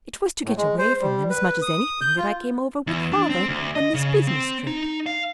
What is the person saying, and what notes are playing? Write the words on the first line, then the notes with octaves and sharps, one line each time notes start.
"It was to get away from them, as much as anything, that I came over with father on this business trip."
A2
G#3
C5
G3
B4
D#6
G6
F4
E2
D4
C4
D2
D#5
C#3
C4
D#4
F5